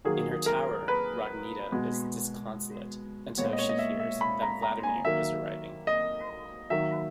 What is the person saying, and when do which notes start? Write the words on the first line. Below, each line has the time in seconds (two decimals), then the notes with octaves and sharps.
In her tower, Rogneda is disconsolate until she hears that Vladimir is arriving.
0.05 D#3 F#3 A#3 G#4
0.46 A#4
0.88 B4
1.72 B2 G#3 B3
3.37 A#2 G#3 B3 C#5
3.53 D#5
3.58 C#5
3.69 D#5
3.79 E5
3.99 E5
4.21 B5
4.42 A#5
4.62 A#5
4.83 G#5
5.05 D#3 F#3 A#3 E5
5.87 D#5
6.70 D#3 F#3 A#3 E5